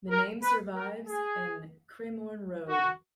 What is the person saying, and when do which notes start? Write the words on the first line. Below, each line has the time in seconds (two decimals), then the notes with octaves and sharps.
The name survives in Cremorne Road.
0.10 A#4
0.43 B4
0.75 A#4
1.08 G#4
2.69 F#4